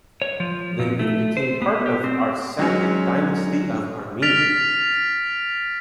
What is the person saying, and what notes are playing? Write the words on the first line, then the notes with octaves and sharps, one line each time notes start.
Then it became part of Arsacid Dynasty of Armenia.
C#5
F3
A#2
A3
C5
B3
G4
C4
F#3 G#3 C#4
F6 A6 B6 D7 F7